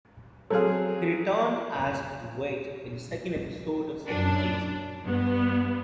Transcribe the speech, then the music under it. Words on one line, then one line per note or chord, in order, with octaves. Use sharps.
He returned as Wade in the second episode of the second season.
F#3 C4 G#4 A4 F5
F#2 D4
G2 B3